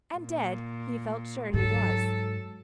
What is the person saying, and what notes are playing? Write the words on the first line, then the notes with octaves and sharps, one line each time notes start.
And dead he felt sure he was.
A#2
G#2 F#3 A4